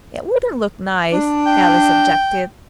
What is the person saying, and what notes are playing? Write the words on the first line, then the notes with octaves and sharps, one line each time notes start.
'It wouldn't look nice,' Alice objected.
D4
G5